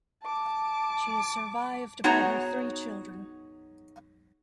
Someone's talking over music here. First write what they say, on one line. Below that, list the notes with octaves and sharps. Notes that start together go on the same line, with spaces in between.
She is survived by her three children.
A5 D6
B3 D#4 F#4 G#4 C#5 A#5